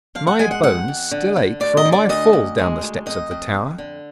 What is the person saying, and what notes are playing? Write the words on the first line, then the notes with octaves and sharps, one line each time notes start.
My bones still ache from my fall down the steps of the tower.
F3 F5
F#5
G#3 G#5
F#5
F2 F#5
F2
D3
D3
D2 D5
D#5
D3
D5
D2 D#5
D2
G#3
D2
F2 D#5
F2
F2
D3